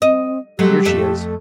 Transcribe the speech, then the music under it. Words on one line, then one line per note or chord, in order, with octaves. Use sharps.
Here she is.
C4 D#5
F#3 G#3 A3 G4
F2 A3 E5